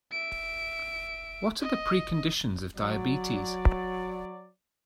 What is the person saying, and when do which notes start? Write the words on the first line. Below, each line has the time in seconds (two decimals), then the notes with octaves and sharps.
What are the preconditions of diabetes?
0.12 E5 D7
1.61 D#5
2.74 F#3 D5